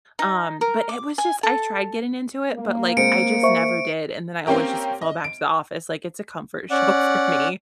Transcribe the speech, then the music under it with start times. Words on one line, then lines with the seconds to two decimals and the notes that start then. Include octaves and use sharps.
um, but it was just I tried getting into it, but, like, I just never did, and then I always just fall back to The Office, like, it's a comfort show for me.
0.19 D#4
0.61 A#4
0.89 D6
1.18 G#5
1.43 A4
2.54 A#3
2.97 G#3 C4 C#7 D7
3.43 C5 E5 C#6
4.47 A#3 C4 C#4 G4 A#4
5.01 D#5
5.24 D7
6.71 C#4 D5 F#5